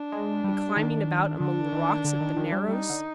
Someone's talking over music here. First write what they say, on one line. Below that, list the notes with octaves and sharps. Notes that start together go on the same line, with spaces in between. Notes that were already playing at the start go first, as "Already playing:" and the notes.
"And climbing about among the rocks at the narrows?"
Already playing: D4
G#3
G3
D#3
D3 D4
D#3
D3
D#3
D#3
G3
G3 D#4
D3